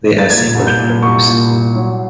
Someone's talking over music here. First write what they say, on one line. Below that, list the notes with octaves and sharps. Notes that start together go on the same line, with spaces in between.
They are simple to produce.
A6
A#2 G#6
C2
G6
A#2
C2 C#6
A#2
C2
F#3